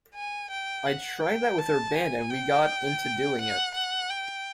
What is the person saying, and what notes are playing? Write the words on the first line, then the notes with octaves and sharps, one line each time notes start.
I tried that with our band and we got into doing it.
G#5
G5
F#5
G5
A5
G#5
G5
F#5
F#5
G5